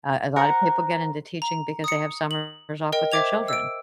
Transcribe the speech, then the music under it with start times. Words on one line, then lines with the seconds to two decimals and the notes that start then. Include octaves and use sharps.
Uh, a lot of people get into teaching because they have summers off with their children.
0.36 A#4 C5 F#5 A#5
1.42 A#5
1.84 D#6 C#7
2.31 F#7
2.92 A#4 D#5 G5
3.12 C5 E5 G5 D6 G#6 F7
3.48 E6 D7